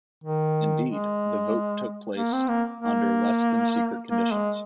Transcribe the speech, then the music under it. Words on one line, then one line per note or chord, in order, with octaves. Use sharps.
Indeed, the vote took place under less-than-secret conditions.
D#3
G#3
A#3
C4
A#3
A#3
A#3
G#3